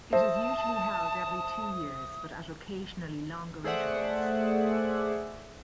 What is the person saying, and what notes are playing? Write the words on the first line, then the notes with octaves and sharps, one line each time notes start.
It is usually held every two years, but at occasionally longer intervals.
C5 E5 A5 D#6
A3 G#4 C5 D5 E5 F#5